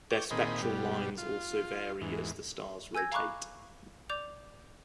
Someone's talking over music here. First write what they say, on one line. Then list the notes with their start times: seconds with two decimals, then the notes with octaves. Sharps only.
Their spectral lines also vary as the stars rotate.
0.11 C#5 G5 D6
0.31 A#2 D#3 C4 G#4 D#5 B5
0.62 G2 B2 G3
1.18 F4
2.01 E2 G#2
2.95 G#5 E6 G6 G#6 A#6
3.12 F5 A#5 B5 C#6 D6 F#6
4.10 D5 D6 G6 F7